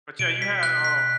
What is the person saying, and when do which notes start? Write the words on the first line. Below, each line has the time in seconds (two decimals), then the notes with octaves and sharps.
but, yeah, you had, um
0.19 B2 D7
0.42 B6
0.63 F#6
0.85 B6